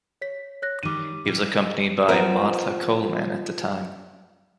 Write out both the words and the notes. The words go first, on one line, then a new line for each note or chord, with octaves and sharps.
He was accompanied by Martha Coleman at the time.
C#5 B6
C#5 F#6 A#6
D#3 G3 D6 D#7
G3 E4
F3 B3 C4 A#4